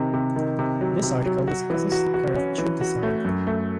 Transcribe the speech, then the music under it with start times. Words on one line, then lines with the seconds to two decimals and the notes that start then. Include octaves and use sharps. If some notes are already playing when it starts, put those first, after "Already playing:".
This article discusses the curved tube design.
Already playing: C3 D#3
0.14 C3
0.36 D#3
0.59 C3
0.81 F#3
1.02 C3
1.26 F#3
1.48 F#4
1.70 E3
1.92 F#4
2.14 F#4
2.36 C#4
2.58 E3
2.81 F#4
3.03 A3
3.25 F#2
3.47 A3